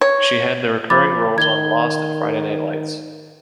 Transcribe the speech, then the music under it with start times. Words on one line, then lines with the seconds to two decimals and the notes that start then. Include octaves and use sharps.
She had the recurring roles on "Lost" and "Friday Night Lights".
0.01 C#5
0.90 F3 B5 D6 A6
1.38 D#3 G#6 G7